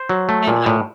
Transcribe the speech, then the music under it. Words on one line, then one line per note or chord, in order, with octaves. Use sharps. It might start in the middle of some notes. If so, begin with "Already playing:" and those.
And I
Already playing: C5
F#3
A3
A#2
A2